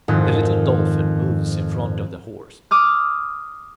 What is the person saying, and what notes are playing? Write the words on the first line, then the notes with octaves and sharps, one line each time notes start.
The little Dolphin moves in front of the Horse.
F2 G#2 D#3
D6 D#6 F6